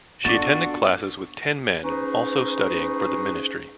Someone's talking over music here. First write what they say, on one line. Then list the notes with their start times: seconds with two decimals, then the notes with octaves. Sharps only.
She attended classes with ten men also studying for the ministry.
0.25 B3 D4 F4 F#4 A4 D6 A6
1.84 C#4 D#4 G#4 B4 C5